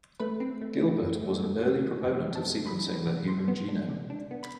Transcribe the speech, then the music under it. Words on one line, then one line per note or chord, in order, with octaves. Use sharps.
Gilbert was an early proponent of sequencing the human genome.
A3 B4
C4
A3
A3
F#2
A3
A3
A3
E3
F#2 G5
C4
A5
A3
E3 B5
D4
C3
C3 C6
B3
D4
C3
D4
B3
B5